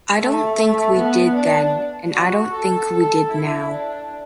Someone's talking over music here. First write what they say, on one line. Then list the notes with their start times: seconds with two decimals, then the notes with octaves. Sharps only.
I don't think we did then and I don't think we did now.
0.17 A3
0.56 A3
0.95 B3
1.35 D4
2.13 F#4
2.53 A4
2.92 A4
3.32 E4
3.71 D4